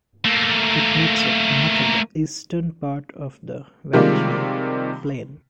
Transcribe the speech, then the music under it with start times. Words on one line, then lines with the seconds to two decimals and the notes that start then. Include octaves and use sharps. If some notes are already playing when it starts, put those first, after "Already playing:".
It makes up much of the eastern part of the Wallachian Plain.
0.25 A3 A#3
3.93 C3 D#3 F3 G3 G#3 A#3